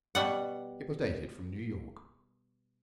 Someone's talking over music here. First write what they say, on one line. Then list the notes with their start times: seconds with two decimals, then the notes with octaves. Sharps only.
It was dated from New York.
0.15 B2 G3 F#5